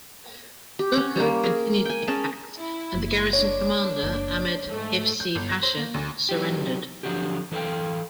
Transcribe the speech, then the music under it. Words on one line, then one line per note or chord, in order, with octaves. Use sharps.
Gourko continued the attacks and the garrison commander Ahmed Hifzi Pasha surrendered.
G4
C#4 F#5
G3 A#3
G#4 A#4
G5 G#5
C#4 G#4 A#4 A5
E4
F#1
D4 C#5
F#1
G#2 D#3 A3
G6
G1
A#6
C5
A#3
D2
F#3 D#4 G4
D3 F3 F#3 D4 F#4 G4
E3 A4 D5 F5 G5